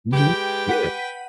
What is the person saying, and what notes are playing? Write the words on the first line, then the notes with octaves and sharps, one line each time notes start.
Mhm. Yeah.
G#3 G4 B4 G5
F#5 B6 D#7